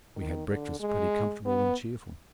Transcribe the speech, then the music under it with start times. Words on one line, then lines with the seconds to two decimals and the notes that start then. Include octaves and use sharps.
We had breakfast pretty comfortable and cheerful.
0.16 D#3
0.48 D3
0.80 G#3
1.45 B3